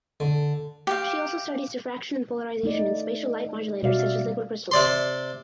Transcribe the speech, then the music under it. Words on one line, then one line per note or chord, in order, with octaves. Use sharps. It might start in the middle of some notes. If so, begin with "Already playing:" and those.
She also studies diffraction and polarization in spatial light modulators such as liquid crystals.
D3
G4 F5
A3 D#4 D5
B2 G3 F#4 D5 E5 F5
C3 D5 C6